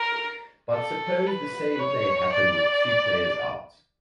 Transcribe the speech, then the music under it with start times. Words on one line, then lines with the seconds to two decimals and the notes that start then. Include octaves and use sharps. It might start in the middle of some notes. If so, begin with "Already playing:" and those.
But suppose the same play happened with two players out.
Already playing: A#4
0.74 A4
1.27 B4
1.79 C#5
2.32 D5